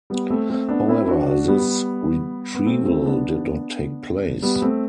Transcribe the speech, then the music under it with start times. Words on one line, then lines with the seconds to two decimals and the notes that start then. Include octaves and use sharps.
However this retrieval did not take place.
0.10 G3 B3
0.30 A3 C4
0.50 A3 C4
0.69 B3 D4
0.88 C4 E4
1.08 D4 F#4
1.28 D4 F#4
1.48 G3 B3
2.55 B3
2.66 A3 C4
2.85 A3 C4
3.05 B3 D4
4.42 G3 B3
4.62 A3 C4